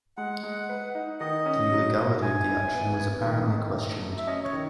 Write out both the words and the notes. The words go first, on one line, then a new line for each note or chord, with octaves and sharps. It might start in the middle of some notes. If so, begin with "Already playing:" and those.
The legality of the action was apparently questioned.
G#3 F#5
G#3
B4
D#4
D#3 D#5
C#4
F#3
F#3
E4 G#5
E4
B3
B3
D#3
D#3
A3
F#2
E5
C#4 D#5
C#5
D#3